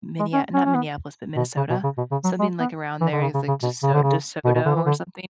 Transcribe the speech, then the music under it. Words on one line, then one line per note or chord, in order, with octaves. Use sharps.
Minneap not Minneapolis, but Minnesota. Something like around there. It's like DeSo DeSoto, or something.
G#3
C#4
C#4
C#4
B3
B2
C#3
B2
C#3
B2
C#3
F#3
G#3
B3
E3
D3
C#3
C#3
C#3
B2
C#3
D3
C#3
B2
B2
D3
E3
D3